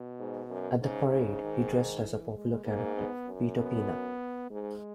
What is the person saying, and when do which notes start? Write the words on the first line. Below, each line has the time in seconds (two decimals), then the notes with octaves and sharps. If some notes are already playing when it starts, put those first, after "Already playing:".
At the parade, he dressed as a popular character, Peter Peanut.
Already playing: B2
0.19 G#2
0.50 F#2
0.80 G#2 C#3
1.11 G#2
1.43 D#3
2.05 E3
2.35 G#3
2.65 G#2 A#3
2.96 B3
3.27 F#2
3.59 B3
4.50 G#2 G#3